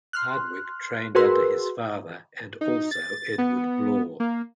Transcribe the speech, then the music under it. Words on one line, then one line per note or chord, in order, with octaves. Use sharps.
Hardwick trained under his father and also Edward Blore.
C6 F6 F#6
F#4 G#4 A#4 B4 C6 E6
D#4
A6
B3
A#3